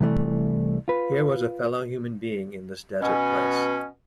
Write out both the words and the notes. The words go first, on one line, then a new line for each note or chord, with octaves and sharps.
Here was a fellow human being in this desert place.
C2 E3 A3
F4 B4
B2 C#4